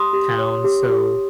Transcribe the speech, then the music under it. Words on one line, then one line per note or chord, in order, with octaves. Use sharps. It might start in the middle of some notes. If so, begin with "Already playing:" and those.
town, so,
Already playing: G4 C6 D#6
G4
C#5
G4
G4